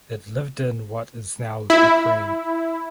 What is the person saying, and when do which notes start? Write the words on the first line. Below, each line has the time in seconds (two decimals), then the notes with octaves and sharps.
It lived in what is now Ukraine.
1.70 E4